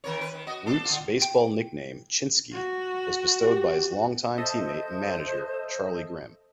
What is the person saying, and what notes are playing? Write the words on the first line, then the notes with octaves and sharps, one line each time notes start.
Root's baseball nickname, "Chinski," was bestowed by his longtime teammate and manager, Charlie Grimm.
D#3 A#4 C#5
B4
D#3
F#4 D#5
D4 A4
D3 F4
G5
F#4
G4
A4 C5 D#5 E5